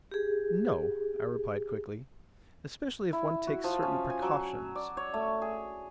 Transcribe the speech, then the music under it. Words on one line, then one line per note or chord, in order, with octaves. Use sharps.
"No," I replied quickly, "especially if one takes certain precautions."
G4 G#4
E4
F#4
F3
C#4
G#5
F#3
D5
C#5
A3
G#4